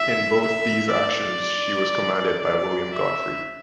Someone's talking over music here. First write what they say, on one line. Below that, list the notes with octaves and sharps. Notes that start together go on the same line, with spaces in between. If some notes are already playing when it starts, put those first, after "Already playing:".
In both these actions, she was commanded by William Godfrey.
Already playing: E5
E5
D5
D5
E5